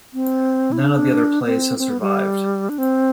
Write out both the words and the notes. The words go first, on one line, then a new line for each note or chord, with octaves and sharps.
None of the other plays has survived.
C4
E4
D4
C4
C4
B3
G3
D4
C4